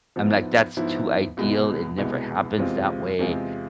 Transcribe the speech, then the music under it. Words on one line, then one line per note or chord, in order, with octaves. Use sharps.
I'm like, that's too ideal, it never happens that way,
G#2 F3 B3 E4
G#2 F3 B3 E4
C2 B2 G#3 B3
C2 B2 G#3 B3
E2 C3 G#3 C4 F4
E2 C3 G#3 C4 F4